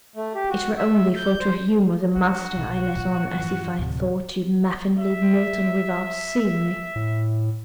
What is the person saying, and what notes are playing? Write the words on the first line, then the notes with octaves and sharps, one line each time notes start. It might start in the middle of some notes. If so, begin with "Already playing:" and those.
It were only for to humour the measter, I let on as if I thought yo'd mappen leave Milton without seeing me.'
A3
G4
F#4
E5
G6
C5
F3 D4 F#4
B1
A#2 F4
G2 E3 F3
D2 A2 C3 D#3
E5
A2